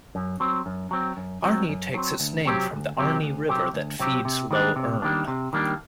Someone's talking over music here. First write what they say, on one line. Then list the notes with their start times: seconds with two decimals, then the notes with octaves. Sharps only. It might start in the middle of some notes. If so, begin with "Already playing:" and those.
Arney takes its name from the Arney River that feeds Lough Erne.
0.15 F#2
0.40 F#3 C4
0.66 F#2
0.91 F#3 C4
1.17 F#2
1.43 F#3 C4
1.69 F#2
1.94 F#3 C4
2.20 D2
2.45 C3 F#3 C4 G4
2.71 D2
2.97 C3 F#3 C4 G4
3.22 D2
3.48 C3 F#3 C4 G4
3.74 D2
4.00 C3 F#3 C4 G4
4.25 C3
4.51 D#3 G3 A#3 D4
4.76 C3
5.02 D#3 G3 A#3 D4
5.28 C3
5.53 D#3 G3 A#3 D4